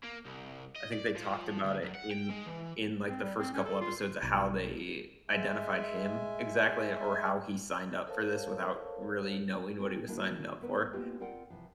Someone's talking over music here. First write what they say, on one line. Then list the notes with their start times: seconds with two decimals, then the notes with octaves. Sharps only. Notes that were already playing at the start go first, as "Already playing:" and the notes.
I think they talked about it in in, like, the first couple episodes of how they identified him exactly or how he signed up for this without really knowing what he was signing up for.
0.04 A#3
0.26 C2
0.76 D#5
0.92 D5
1.16 F3
1.64 D2
1.82 F#2
1.95 F#5
2.11 G5
2.30 G#3
2.46 E3
3.09 C4
3.23 G3
3.38 C4
3.54 C#4
3.65 A4
3.81 F4
4.23 B1
5.30 G#3 E5 G#5
8.07 A4 A#4 C5 C#5 F5 A5
9.79 C4 F4 G#4 A#4
10.07 D#3 A#3 D4 E4 F#4 A#4
10.61 B3 A#4 B4
10.93 G#3 A#3 B3 D#4 F4 G4
11.20 C4 F4 A#4 D5 F#5 G5
11.50 C3 E3 F3